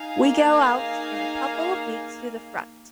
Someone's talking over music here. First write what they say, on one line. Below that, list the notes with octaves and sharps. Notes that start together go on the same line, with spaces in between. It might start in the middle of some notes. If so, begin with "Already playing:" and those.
We go out in a couple of weeks to the front.
Already playing: D#4 G#4 F5 G#5
A#3
A#3